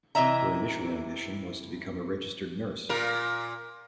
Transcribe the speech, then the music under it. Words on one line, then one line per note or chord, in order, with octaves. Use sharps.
Her initial ambition was to become a registered nurse.
C3 E3 E4 D#5 E5 A#5
A#2 A#4